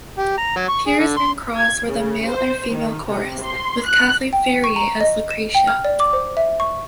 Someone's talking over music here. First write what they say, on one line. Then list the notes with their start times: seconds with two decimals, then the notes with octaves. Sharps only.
Pears and Cross were the Male and Female Chorus, with Kathleen Ferrier as Lucretia.
0.18 G4
0.38 A#5
0.56 F#3
0.69 C#6
0.87 G#4
0.99 D3
1.17 C6
1.56 G#6
1.87 C#3
2.26 C5
2.73 D#3
3.05 C3
3.41 C6
3.86 F#6
4.33 G5
4.64 C#6
4.76 A#5
5.01 D#5
5.31 E7
5.55 G5
5.68 F6
5.85 D5
6.00 D6
6.13 C5
6.37 E5
6.60 C#6